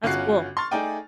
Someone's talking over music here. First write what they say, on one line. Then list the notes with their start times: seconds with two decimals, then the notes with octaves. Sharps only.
That's cool.
0.04 G1 C#4 F4 F#4 F#6 C7
0.57 C6 C#6 F6 A6
0.71 A3 D#4 G#4 D5 G5 G#5